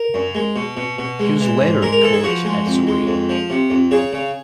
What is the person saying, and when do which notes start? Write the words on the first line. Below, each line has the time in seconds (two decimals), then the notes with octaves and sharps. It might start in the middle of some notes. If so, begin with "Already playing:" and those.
He was later coach at Surrey.
Already playing: A#4
0.14 F#2
0.35 G#3
0.56 B2
0.77 B2
0.98 B2
1.20 G#3
1.41 E3
1.61 G#2
1.82 G#3 A#4
1.92 A#4
2.03 E3 A4
2.13 G#4
2.24 F3 F#4
2.45 G#3
2.66 F2
2.87 G#3
3.07 F2
3.29 F3
3.50 C3
3.70 F2
3.91 C#3 G#4
4.13 C#3